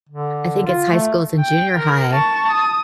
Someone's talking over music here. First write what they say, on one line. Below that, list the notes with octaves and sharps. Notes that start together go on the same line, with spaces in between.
I think it's high schools and junior high,
D3
F4
A3
G5
A#4
A5 C#6
D#6